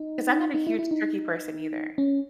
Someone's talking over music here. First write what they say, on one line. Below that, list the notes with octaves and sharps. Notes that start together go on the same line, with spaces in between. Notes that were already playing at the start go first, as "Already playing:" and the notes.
'Cause I'm not a huge turkey person either.
Already playing: D#4
D#4
E4
E4
D#4
C#4